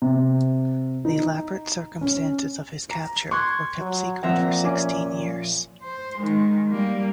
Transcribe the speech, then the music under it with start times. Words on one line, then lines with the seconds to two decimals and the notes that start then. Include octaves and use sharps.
The elaborate circumstances of his capture were kept secret for sixteen years.
0.02 C3
1.05 D#4
2.01 C#4
2.91 A#5
3.31 C6 C#6 F#6 G#6
3.78 F#3
4.23 A#2 F3 C4 E5 F#5 A#5
4.64 C#4 G#5 D6
5.83 C5
6.18 D#3 G#3
6.71 G3 A#3